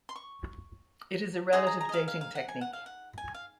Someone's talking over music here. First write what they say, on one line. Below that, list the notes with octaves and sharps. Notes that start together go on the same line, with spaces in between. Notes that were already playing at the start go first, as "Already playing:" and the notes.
It is a relative dating technique.
C6
C#6
D#4 G#4 D#5 C6
A#5
A#5
D#5
F5
F5
F5
F#5
G#5
F#5
F5
F#5
G#5
F5